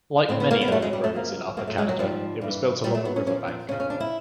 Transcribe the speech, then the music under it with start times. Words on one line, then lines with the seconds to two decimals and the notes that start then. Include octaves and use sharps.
Like many early roads in Upper Canada, it was built along a river bank.
0.29 A2 F#3 C4
0.40 B3
0.51 A#3
0.61 B3
0.68 G#3
0.71 F2 C#3 F#3 A3
0.82 G#3
0.93 G3
1.04 A3
1.14 F#2 C#3 F3 A#3
1.57 F#2 C#3 F#3 A#3
1.67 A3
1.78 G#3
1.89 F#3
1.99 G#2 F3 G3
2.41 G2 E3
2.84 A#2 F#3 G3
2.95 A3
3.05 B3
3.16 C#4
3.26 A#2 C#4
3.30 F3
3.48 D4
3.69 F2 C#3 F3 C#4
3.80 C#4
3.90 D4
4.00 E4